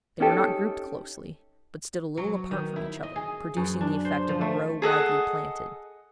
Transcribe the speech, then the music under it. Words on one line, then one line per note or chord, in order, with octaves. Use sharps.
They were not grouped closely, but stood a little apart from each other, producing the effect of a row widely planted.
C#4 D#4 G4 A4
F#3
D#3
E4
D#5
G#4
F#2
D4
C5
F3
A3
G#4 A4 D#5 F#5